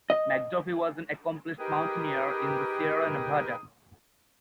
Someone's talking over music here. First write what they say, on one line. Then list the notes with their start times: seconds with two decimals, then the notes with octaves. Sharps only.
McDuffie was an accomplished mountaineer in the Sierra Nevada.
0.10 D#5
1.59 D#4 G4 G#4 A#4 B4 G5 D#6